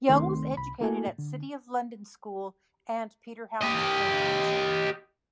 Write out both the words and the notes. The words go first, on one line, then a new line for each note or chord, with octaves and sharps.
Young was educated at City of London School and Peterhouse, Cambridge.
C2 D#3 A3 C4 C6
C2 B5
A3 A#3 E4 F#4 A4 G#5
D3
G4 D#5